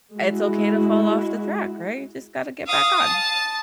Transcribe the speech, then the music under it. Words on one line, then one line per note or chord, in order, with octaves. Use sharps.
eh it's okay to fall off the track, right? You just gotta get back on.
G#3 E4 F#4
F5 D#6
A5